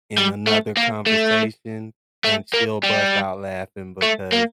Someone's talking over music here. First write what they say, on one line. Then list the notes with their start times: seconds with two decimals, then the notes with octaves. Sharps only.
in another conversation, and she'll bust out laughing because
0.18 G3
0.47 A3
0.77 A#3
1.06 A3
2.24 A3
2.54 A#3
2.84 G3
4.02 A3
4.32 A#3